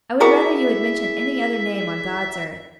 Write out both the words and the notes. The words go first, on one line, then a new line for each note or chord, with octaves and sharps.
'I would rather you had mentioned any other name on God's earth.
E4 F#4 G#4 A#4 D5 E5